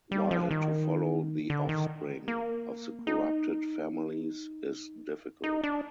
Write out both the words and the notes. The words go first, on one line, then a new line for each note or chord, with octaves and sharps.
While to follow the offspring of the corrupted families is difficult.
G3
F3
D#3
D3
D#3
A#3
D#4
D#4
D4